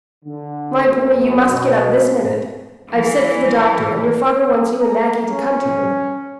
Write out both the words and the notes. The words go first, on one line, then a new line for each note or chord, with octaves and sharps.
"My boy, you must get up this minute; I've sent for the doctor, and your father wants you and Maggie to come to him."
D3
F#2
B2
E3
A#5
C#4